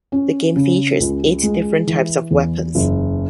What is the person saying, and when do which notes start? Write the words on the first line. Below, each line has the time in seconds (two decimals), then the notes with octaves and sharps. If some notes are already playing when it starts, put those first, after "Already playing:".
The game features eight different types of weapons.
0.12 C#4
0.56 C#3
1.00 C#2
1.43 G#3
1.87 E3
2.31 E2
2.75 F#1